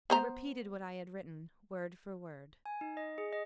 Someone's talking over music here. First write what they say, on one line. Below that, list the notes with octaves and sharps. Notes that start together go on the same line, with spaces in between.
I repeated what I had written, word for word.
B3 C5 A#5
G#5
D#4
D#5
G#4
D#5